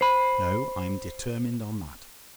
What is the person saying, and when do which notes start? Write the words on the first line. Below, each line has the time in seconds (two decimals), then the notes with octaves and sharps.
No: I'm determined on that.
0.01 C5 B5